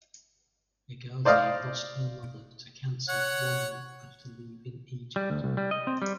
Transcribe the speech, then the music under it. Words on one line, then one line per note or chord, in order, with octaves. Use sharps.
Hegazi lost her mother to cancer one month after leaving Egypt.
C5 D5 D#5 F5 D#6
C#5 F#5
G3
D2
C2
G3
D#5
C4
G3